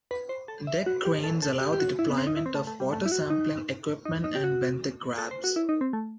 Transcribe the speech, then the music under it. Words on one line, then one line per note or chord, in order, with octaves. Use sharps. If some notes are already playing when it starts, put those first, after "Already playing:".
Deck cranes allow the deployment of water sampling equipment and benthic grabs.
B4
C5
A4
E5
F#4
G4
A4
A4
G4
G4
F#4
E4
B3
C4
D#4
E4
C4
A3
A3
G3
A3
E4
F#4
D#4
D#4
D#4
G4
F#4
A4
C5
F#4
E4
D#4
C4
A3